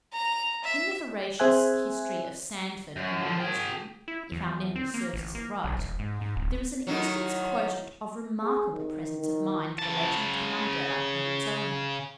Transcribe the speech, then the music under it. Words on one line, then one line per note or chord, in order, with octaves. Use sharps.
In the veracious "History of Sandford and Merton," if our memory serves us aright, there is an instance quoted of remarkable presence of mind relating to an Umbrella and its owner.
A#5
E5
C4 G#4 C5 E5 G#5 F#6
F#2
D3 F3
G#4 G5
E4
E2
C4
A#3
A1
A#3
B1
E1
G#2
G#2
D1
A2 D#3 F#3
G#4
D#3
D#3
C#3 A5